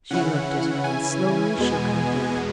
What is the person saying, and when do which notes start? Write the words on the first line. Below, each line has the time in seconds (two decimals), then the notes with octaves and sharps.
She looked at him, and slowly shook her head.
0.10 C#3 E3 C#4 E4 F#5
0.84 G#5
1.58 E2 B2 G#3 B3